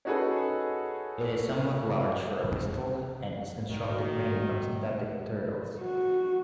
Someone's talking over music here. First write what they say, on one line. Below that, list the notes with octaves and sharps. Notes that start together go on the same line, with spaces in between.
It is somewhat large for a pistol and is constructed mainly from synthetic materials.
C#4 D#4 F#4 G#4 A4 B4
G#2 D#3 G#3 F#4
F#4